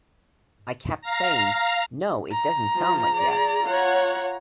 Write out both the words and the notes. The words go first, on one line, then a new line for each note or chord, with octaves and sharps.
I kept saying, 'No, it doesn't sound like Yes.
F5 A#5
A#5
F3
G#4 D5
F4 C#5 F#5